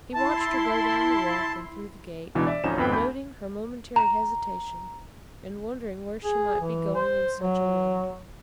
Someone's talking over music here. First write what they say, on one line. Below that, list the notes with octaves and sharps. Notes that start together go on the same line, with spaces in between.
He watched her go down the walk and through the gate, noting her momentary hesitation and wondering where she might be going in such a wind.
E4 A5 C6
C#2 B2 E3 D4
D5 E5
A1 D2 F3 C#4 D#4 E7
G#1 F2 B3 B4 G5
D2 B5 G6
A#5
G#4
E3
C5
F#3